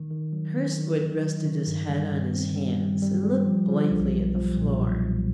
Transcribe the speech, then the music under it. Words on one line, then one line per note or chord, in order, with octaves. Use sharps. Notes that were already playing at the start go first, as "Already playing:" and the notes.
Hurstwood rested his head on his hands and looked blankly at the floor.
Already playing: D#3
D#3
F#3
D#3
D#3
D#3
F#3
D#3
G2
G3
G2
C4
G3
G3
G3
G3
F3
F3
B1
B1
F3
A#2
B1
B1